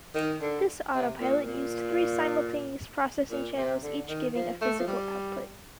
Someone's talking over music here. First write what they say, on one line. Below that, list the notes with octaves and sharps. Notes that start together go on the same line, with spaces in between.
This autopilot used three simultaneous processing channels each giving a physical output.
D#3
D3
C3
A#2
A#2
A#2
C3
D3
D#3
F3
A3
F3
G3